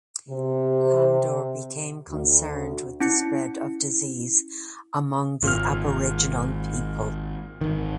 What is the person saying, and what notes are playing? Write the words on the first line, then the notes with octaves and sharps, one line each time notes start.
Landor became concerned with the spread of disease among the Aboriginal people.
C3
D2
C#4 E4 C#7
G#1 A#2 F6
G#1 D#3